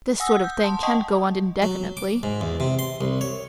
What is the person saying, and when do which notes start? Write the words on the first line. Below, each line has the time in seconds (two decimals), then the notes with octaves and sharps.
This sort of thing can't go on indefinitely.
0.20 F#5 G#5 D#6 E6 A#6
0.44 G6
0.64 A5 C6 D#6
0.83 D#5 F#5 G5 A5 C#6 D#6
1.62 F#3
1.97 D6
2.23 G#2
2.41 E2
2.60 C3
2.79 C6
3.01 C2
3.21 C#5